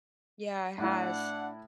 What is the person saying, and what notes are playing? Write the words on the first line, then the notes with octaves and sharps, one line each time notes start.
Yeah, it has.
A2 D4 E4 F#5